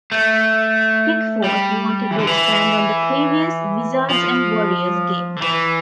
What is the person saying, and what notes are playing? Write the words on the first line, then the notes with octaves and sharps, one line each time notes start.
Pickford wanted to expand on the previous "Wizards and Warriors" game.
A3
G3
E3
D3
E3
F3
D3
E3